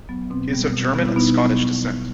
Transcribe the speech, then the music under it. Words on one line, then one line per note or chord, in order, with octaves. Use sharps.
He is of German and Scottish descent.
F#3 B3
B2 C4
G3 B3
B2
G3 B3
E4
B2 B3 D#4
F#3 B3